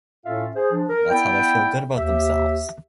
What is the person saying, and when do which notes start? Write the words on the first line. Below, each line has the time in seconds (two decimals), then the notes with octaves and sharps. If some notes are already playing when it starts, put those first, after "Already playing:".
That's how they feel good about themselves.
0.25 A2 C#4 F4 A4 E5 F5
0.56 G#4 C5
0.71 F3 D4
0.89 A#4
1.10 B3 E4 D5 G5
1.96 D#2 G4 E5